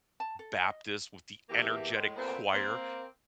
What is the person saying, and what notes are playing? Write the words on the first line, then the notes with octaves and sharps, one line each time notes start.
Baptist with the energetic choir.
A5
A4
D#5
E2 E3 A#3 G4 E5
A2 G#3
A#2 A3 B3 C4 C5
A#3 C4